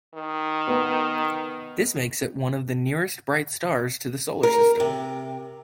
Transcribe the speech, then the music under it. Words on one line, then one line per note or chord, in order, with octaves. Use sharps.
This makes it one of the nearest bright stars to the Solar System.
D#3
B3
A#4
C3